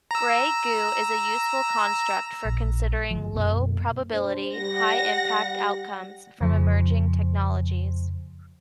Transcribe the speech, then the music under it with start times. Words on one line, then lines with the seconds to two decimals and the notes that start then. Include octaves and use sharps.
Grey goo is a useful construct for considering low-probability, high-impact outcomes from emerging technologies.
0.11 A#5 E6
2.45 A#1
3.11 G1 F3
3.35 F#2 B2 A#3
4.11 D4 C5
4.56 G3 G4 F#5 A#6
6.41 F2 C#3 F3